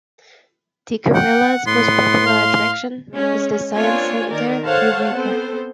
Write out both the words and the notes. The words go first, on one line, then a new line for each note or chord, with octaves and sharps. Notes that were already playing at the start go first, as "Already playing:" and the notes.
Tikkurila's most popular attraction is the science center Heureka.
F#5 G5
A2 B3 C6
F5
G#3 C#4
A#3 C4 D4 F4 C#5 G#5
D#3 A#4 D5
A4 C5 C#5 F5 F#5 A5
B3 C4 A4 C5